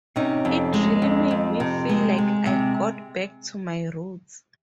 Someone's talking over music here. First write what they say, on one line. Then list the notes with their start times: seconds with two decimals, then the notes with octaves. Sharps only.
It really made me feel like I got back to my roots.
0.16 C3 C#4 D#4
0.45 F2
0.74 G#3
1.02 F2
1.31 F2
1.60 C3
1.89 G#3
2.18 G#3
2.46 C3